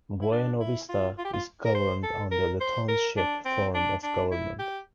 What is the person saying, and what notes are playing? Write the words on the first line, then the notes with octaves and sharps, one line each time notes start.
Buena Vista is governed under the Township form of government.
E4
D4
E4
F4
F4
G4
F4
A#4
C5
A4
A#4
C5
A#4
D4
C4
D4
D4
E4
G4